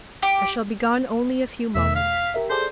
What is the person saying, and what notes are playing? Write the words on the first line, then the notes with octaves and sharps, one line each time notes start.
"I shall be gone only a few moments."
G4
E2 B2 A3 E5
F5 B6
G4 A#4 E5
G#4 A4 C5 D5